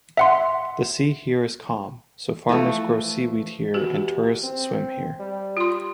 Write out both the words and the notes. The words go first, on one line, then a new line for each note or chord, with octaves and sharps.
The sea here is calm, so farmers grow seaweed here and tourists swim here.
E5 F#5 C6
E3 F3 A3
E2 F#4 G4
C4
G3
F4 C6